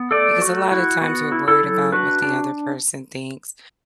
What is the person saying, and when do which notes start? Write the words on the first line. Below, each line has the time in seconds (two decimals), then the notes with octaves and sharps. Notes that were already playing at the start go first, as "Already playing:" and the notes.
because a lot of times, we're worried about what the other person thinks
Already playing: B3
0.11 A3 A4 D5
0.41 A3 F#4
0.71 E4 F#4
1.01 B3 F#4
1.32 E4
1.48 E4 A4
1.63 F#3
1.92 D4 F#4 B4
2.22 D4